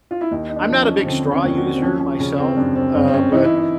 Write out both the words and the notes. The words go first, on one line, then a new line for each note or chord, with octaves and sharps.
I'm not a big straw user myself, uh, but
F4
E4
D#2 D#4
D#4
D4
F3
C#4
D3 C4
C#4
D#2
F#4
C4
F3 C#4
C#4
C#3 C#4
C4
F#2 D4
C4
G1 C4
C4
C#4
E3 D#4
E4
D#4